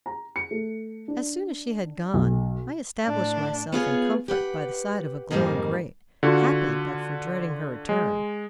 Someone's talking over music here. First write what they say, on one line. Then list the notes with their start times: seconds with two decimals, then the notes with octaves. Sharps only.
As soon as she had gone, I established myself in comfort by the side of a glowing grate, happy but for dreading her return.
0.06 A#5
0.36 C#7
0.51 A3
1.08 D4
2.13 B1
3.05 A2 D4
3.72 B3 F4 G#4 C#5
4.28 G4 B4 F#5
5.31 F2 G#2 D#3 G3 A#3
6.23 D3 F4 F#4
7.89 G#3